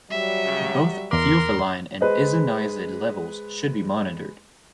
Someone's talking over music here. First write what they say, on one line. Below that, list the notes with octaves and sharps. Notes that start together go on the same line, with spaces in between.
Both theophylline and isoniazid levels should be monitored.
F#3 G3 E5
C#3
E2 A#4 C6 D6
G#3 B4 C5 D#5